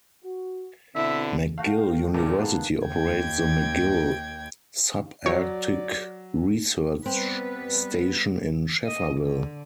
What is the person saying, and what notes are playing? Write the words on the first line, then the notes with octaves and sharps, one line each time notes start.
McGill University operates the McGill Subarctic Research Station in Schefferville.
F#4
B2 D3 C4 E4 E5
A3 F#4 F5 G5
A#2 C#3 A3 D6
A#3 B3 D4 G#4
D#2 G5 G#6
F#3 C#5 D5
G3 B3 C4 B4
D#5
D3